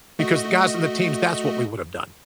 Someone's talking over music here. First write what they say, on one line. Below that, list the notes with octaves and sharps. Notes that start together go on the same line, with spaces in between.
because the guys on the teams, that's what we would have done.
A3 F#4 D#5